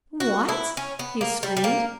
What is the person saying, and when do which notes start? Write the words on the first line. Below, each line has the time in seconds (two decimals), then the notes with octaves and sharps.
"What?" he screamed.
0.20 F#4
0.49 E4
0.77 C#4
0.99 B3
1.21 A#3
1.43 G3
1.57 G3
1.64 A#3